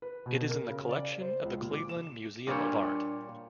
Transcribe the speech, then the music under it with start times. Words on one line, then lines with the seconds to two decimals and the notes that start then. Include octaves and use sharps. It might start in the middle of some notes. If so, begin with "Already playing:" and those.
It is in the collection of the Cleveland Museum of Art.
0.02 B4
0.26 B2
0.49 A#4
0.68 C#3
0.89 D5
1.21 C5
1.44 C#2
1.61 A#2
1.73 D6
1.89 E7
2.47 A#2 G3 D4 C#5